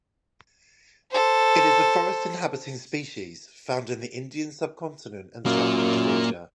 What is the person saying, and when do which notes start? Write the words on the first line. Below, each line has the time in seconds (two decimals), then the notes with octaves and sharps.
It is a forest-inhabiting species found in the Indian Subcontinent and Southeast Asia.
1.11 A4 C5
5.46 F#2 A#3 F4